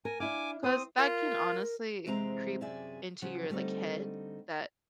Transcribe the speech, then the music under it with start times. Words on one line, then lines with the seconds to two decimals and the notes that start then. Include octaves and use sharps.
'Cause that can honestly creep into your, like, head that,
0.05 A#4 G#5
0.20 D4 E4 F5 G#5 D6
0.64 C4 C5 D#6
0.98 F4 A#4
2.05 E2 C3 G#3 C4 E5 A#5
2.61 F#2 C3 G#4 D5 E5 G#5
3.22 C#3 F3 F#3 F#5
3.50 D3 G3 A3 C4 D#4